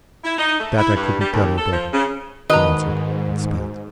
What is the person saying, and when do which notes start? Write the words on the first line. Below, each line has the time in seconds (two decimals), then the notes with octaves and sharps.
"That I couldn't tell you, brother," he answered, and spat.
0.24 E4
0.38 D#4
0.60 A3
0.78 E4
0.96 G2
1.20 G3
1.33 D#2
1.57 A4
1.71 F3
1.93 C#3
2.50 G#2 D#3 F#4 B4 D#5 A#5